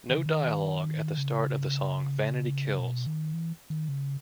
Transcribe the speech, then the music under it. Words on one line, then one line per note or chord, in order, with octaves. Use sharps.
No dialogue at the start of the song "Vanity Kills".
D#3
C#3
D#3
C#3
B2
D#3
E3
D#3
C#3